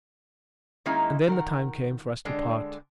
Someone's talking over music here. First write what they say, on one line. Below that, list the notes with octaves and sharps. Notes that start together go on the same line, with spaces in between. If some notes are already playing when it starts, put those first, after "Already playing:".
And then the time came for us to part.
D#3 G#3 A#3 C#4 D#4 E4
D#3 A#4 F#5
D3 G3 G#3 D4